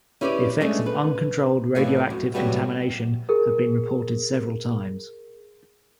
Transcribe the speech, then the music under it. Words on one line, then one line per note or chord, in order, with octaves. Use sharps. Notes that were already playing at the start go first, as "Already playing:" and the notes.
The effects of uncontrolled radioactive contamination have been reported several times.
C#4 E4 G4 B4 C#5 D5
G#3 A3 C#4 D4 A4
B4
F2 A2 E3
F#2
A2 C3 E3 F#3 G3 B3
G#4 A#4